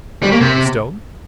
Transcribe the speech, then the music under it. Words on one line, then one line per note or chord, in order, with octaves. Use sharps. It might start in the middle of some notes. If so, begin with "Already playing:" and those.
The stone?
G3
A#3
C3